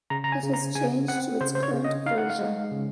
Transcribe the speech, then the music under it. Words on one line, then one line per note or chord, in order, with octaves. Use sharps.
It has changed to its current version.
C#3 A#5
A#5
G#5
C#3
A#5
C#3 G#5
C4 F#5
C#3 C5
C5
C#5
C#3
D#5
D#4 F5
F#5
F5
G#3
C#3